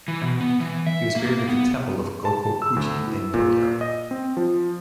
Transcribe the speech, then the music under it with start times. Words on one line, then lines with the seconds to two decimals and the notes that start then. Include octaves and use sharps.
He was buried at the temple of Gokoku-ji in Tokyo.
0.08 E3
0.22 B2
0.40 B3
0.60 E3
0.87 E5
1.16 A#3
1.48 B3
2.25 A5
2.62 E6
2.76 D2
3.07 E4
3.34 A#2
3.81 D#5
4.11 C4
4.37 F3